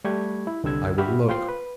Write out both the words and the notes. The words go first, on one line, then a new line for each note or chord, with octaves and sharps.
I will look.
G3 A3 G4 C#6 G#6
E4
C2 D3 G3 E6 G#6
F#4 G4 E5 B5 F6
F4 C5 G5 C6
B4